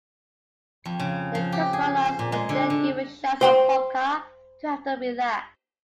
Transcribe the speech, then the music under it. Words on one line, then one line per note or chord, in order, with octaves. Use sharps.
The cosmonauts were then given shots of vodka to help them relax.
F2
C#3
F3
G4
G#4
C5
A#2
G#3
D3
D3
C5 G5 C6